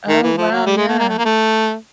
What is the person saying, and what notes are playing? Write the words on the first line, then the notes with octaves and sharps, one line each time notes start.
Oh wow, yeah.
D#3
E3
F3
F#3
G3
G#3
A3
A#3
A3
A#3
A3